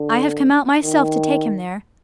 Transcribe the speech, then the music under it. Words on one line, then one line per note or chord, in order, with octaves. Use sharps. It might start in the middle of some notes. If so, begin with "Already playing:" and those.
I have come out myself to take him there.
Already playing: D3
D#3